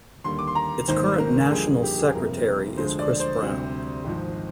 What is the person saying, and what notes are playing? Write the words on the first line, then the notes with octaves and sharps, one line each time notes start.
Its current National Secretary is Chris Brown.
D#2 D3 G3 A#3 C6
D6
C6
A#5
G#1 G#2 D#3 A#3 C5
A#4
F2 D3 G3 A#3 G#4
G#4
G4
G#4
G1 F2 C3 G3 A#3 A#4
D2 D3 F3 G#3 C5
D5
C5
D2 C3 G3
G#1 G#2 F3